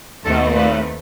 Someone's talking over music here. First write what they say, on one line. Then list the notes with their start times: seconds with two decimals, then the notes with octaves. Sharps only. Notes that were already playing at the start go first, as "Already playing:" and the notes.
No, uh,
0.25 D#2 D#3 A3 C4 A4
0.56 B4